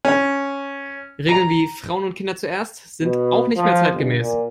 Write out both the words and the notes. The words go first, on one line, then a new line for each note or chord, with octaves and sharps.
Regeln wie "Frauen und Kinder zuerst" sind auch nicht mehr zeitgemäß.
C#4
A#5
B2
F3
G1
A#2